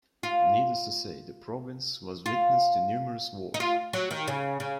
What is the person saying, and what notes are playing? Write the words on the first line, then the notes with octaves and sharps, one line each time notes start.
Needless to say, the province was witness to numerous wars.
F4
F4
D#4
F4
F#3
D#3
C#3
C#3